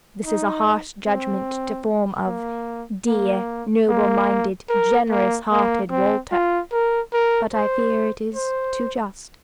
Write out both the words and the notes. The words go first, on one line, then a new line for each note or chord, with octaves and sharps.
This is a harsh judgment to form of 'dear, noble-minded, generous-hearted Walter,' but I fear it is too just.
D#4
C4
A#3
A#3
A#3
A#4
A#3
A#3
C4
F4
A#4
A#4
C5
C5